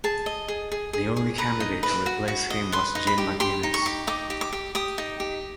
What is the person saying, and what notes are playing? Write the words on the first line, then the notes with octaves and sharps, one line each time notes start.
The only candidate to replace him was Jim McGuinness.
G#4 A5
D#5
G#4
G#4
G#4
G#4
B4 A#5
D#4
B4
F#4
F#4
D#5
B4 C6
D#4
B5
G4
G4 C6
D#4
C#6
G4
D#4 D6
G4
D6
G4
G4 D#6
D#4
G4